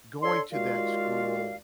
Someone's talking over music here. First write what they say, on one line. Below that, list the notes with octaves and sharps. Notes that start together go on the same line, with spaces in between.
going to that school,
D4 A4 C#5 C6
D#2 G#3 F4 F#4 D5 F5